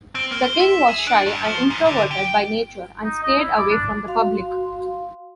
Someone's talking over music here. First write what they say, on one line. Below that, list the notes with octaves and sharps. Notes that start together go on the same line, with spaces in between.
The king was shy and introverted by nature, and stayed away from the public.
C4
A#3
C5
E5
G#4
D4
G2
F3
G#2
D3
G4
G5
D#4
D#5
E4
D6
D4
F#4 F5 C6